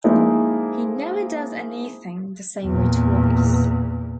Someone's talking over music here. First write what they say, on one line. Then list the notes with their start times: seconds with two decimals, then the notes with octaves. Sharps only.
He never does anything the same way twice.
0.04 F3 G#3 A#3 C4 D#4 E4
2.64 E2 A#2